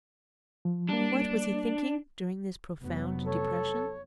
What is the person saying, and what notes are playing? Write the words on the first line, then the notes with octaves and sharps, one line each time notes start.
Of what was he thinking during this profound depression?
F3
G3 A#3 D4
F1 F#3 B3
A4 C#5